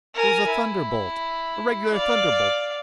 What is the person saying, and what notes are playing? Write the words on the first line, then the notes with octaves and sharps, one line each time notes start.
It was a thunderbolt, a regular thunderbolt!
A#4 G#5
E4
D5 F5